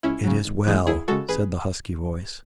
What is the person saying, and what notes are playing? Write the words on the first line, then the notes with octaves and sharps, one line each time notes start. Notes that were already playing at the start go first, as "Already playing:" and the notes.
"It is well!" said the husky voice.
C#2 C#4 E4
C#3 F#3
G#1
F#2 E3 G#3
E2 E4 G#4
C#3 G#3 F#4 A4
A1 G#4 B4